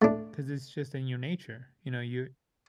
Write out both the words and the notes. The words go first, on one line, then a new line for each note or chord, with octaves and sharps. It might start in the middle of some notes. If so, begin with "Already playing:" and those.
'Cause it's just in your nature, you know, you're
A3 D4